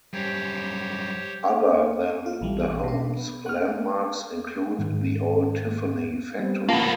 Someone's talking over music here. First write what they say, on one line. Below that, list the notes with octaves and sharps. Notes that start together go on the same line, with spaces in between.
Other than the homes, landmarks include the old Tiffany factory.
F#2 G3 G4 C5 C#5
F4
A#1 E3 G3
B2 D4
B3
F#5 F6
G#2 D#3 G#3
G3 B3 C4
A#3 B3 F4 A5